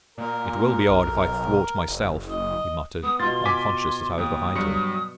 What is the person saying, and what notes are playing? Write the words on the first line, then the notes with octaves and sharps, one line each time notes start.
'It will be odd if I thwart myself,' he muttered, unconscious that I was behind him.
A#2 A#4
B1
F#1
D#5
B3 D#6
B2 F4 C6 A6
G#5 D6 B6
D#2 D#6
G2 F#3 C#7